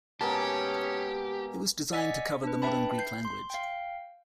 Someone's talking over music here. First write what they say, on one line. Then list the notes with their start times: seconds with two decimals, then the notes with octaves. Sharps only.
It was designed to cover the modern Greek language.
0.21 B2 G#3 A#3 C#4 G4 A5
1.93 D5 D#5 F#5 G#5 E6 B6
2.43 D4 B4
2.62 B4 E5 G5 A5 B5
2.98 G6 C7
3.25 C6
3.50 F5 G5